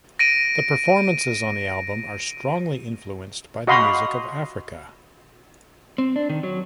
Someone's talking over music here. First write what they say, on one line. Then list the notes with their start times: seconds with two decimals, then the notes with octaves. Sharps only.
The performances on the album are strongly influenced by the music of Africa.
0.19 A#6 D7 D#7
3.67 F#4 D#5 F5 B5 C6
5.98 C4
6.16 D4
6.29 D#3
6.43 F#3